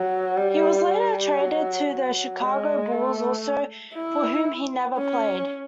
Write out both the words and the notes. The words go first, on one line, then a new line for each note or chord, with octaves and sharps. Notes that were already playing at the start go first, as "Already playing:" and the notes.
He was later traded to the Chicago Bulls, also for whom he never played.
Already playing: F#3
G3
G3
F#3
F#3
G#3
A3
E4
C#4